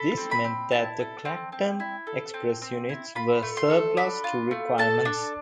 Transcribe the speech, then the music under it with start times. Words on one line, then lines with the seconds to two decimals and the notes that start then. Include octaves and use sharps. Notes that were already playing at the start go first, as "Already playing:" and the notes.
This meant that the "Clacton Express" units were surplus to requirements.
Already playing: A4 B5
0.17 C4
0.31 B5
0.44 C4
0.71 E4 A5
0.99 A4
1.25 C4
1.52 C4
1.80 E4
2.07 A4
2.34 C4
2.62 C4
2.89 E4
3.15 F4 B5
3.42 A3
3.57 C6
3.70 A4
3.97 D4 B5
4.24 F4
4.51 A3
4.78 A4 A5
5.05 D4